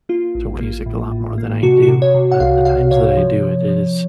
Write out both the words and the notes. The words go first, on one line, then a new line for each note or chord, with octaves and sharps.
to music a lot more than I do, but the times that I do it is
A#3 F4
A1
A#3
A2
A2
A#3
C3 F#4
F#4
C3
C#5
C3
F#5
C2 F5
C2 F5
C3 C#5
F3
F3
F3